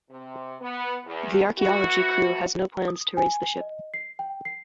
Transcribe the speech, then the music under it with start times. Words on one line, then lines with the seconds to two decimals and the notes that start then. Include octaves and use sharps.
The archaeology crew has no plans to raise the ship.
0.10 C3
0.60 B3
1.05 E2
1.58 E3 A3 E4 F#4
2.88 D#6
3.17 G#5
3.61 D#5
3.94 C7
4.19 G5
4.45 C7